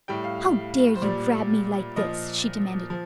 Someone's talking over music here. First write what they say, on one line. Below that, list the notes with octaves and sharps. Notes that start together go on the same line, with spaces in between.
"How dare you grab me like this?" she demanded.
A2 G3 G5
F5
C5
A#2 G3 D5
A#2 F3 D#5
F3